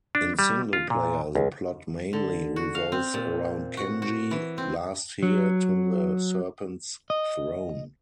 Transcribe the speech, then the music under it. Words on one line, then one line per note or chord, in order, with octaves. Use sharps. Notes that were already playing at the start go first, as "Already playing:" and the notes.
In single-player, the plot mainly revolves around Kenji, last heir to the Serpent's Throne.
D4
G3
F4
A#2
C#2
D3
F#4
F5
C4
A#2
F#4
F#4
E3
C4
F#3
D#5